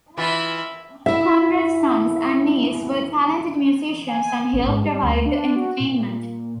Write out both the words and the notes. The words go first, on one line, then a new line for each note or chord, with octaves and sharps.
Conrad's sons and niece were talented musicians and helped provide the entertainment.
E3 F4 E5 B5
E4 E5
G#5
A1
G#2
G3
D2
D4
F#4
A#2